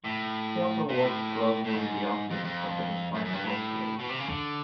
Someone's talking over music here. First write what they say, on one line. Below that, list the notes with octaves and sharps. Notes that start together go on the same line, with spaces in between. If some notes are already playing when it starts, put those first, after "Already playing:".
He also worked closely with the Office of the Hispanic Apostolate.
A2
A#2
A2
A2
G#2
F2
F2
F#2
F#2
G2
A2
B2
C3
C#3
D3